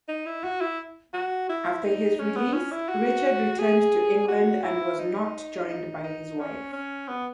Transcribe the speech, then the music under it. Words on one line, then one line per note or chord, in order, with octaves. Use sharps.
After his release, Richard returned to England and was not joined by his wife.
D#4
E4
F#4
E4
F#4
E4
D#4
C#4
B3
C#4
E4
F#4
G#4
F#4
E4
D#4
D#4
D#4
C#4
C#4
B3